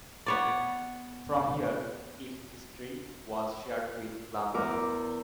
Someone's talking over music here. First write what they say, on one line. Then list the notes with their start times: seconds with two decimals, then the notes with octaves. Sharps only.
From here its history was shared with Clumber.
0.26 B3 C#5 D5
4.54 E2 A#4 D6